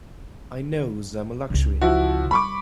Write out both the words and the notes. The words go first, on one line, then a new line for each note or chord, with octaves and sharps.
I knows I'm a luxury.
C#2 C#3
F3 E4 F#4
G3 B5 C#6 D6